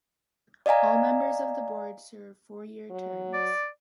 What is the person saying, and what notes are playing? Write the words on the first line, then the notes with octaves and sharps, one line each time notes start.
All members of the board serve four-year terms.
D5 D#5 F5 G#5 A#5
F#3
D5